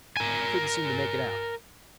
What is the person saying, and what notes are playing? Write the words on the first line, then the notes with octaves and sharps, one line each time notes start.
He couldn't seem to make it out.
A#4 G#5